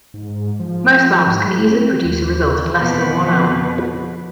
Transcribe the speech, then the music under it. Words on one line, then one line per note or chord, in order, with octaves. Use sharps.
Most labs can easily produce a result in less than one hour.
G#2
F3
G#2
E4
C4
D#2
F2 B2 B4